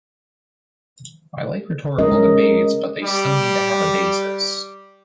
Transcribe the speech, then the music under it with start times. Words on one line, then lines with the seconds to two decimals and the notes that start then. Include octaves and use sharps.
I like rhetorical debates but they still need to have a basis.
1.98 G#3 C#4 A#4 D#5
3.02 G3 D6